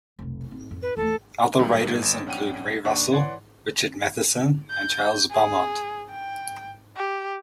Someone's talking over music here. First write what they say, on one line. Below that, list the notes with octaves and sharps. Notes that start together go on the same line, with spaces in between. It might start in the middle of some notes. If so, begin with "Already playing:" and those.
Other writers included Ray Russell, Richard Matheson and Charles Beaumont.
F1 B1
C4
F2
B4
E2 A3 A4
B1 D#3 G3 A3
G1 E7
B1 C#4 D4 F#5 G5 D#7
D#2 D4 C#6
E3 C#5 D5 F#5 C6
G6
G#4
G5
G4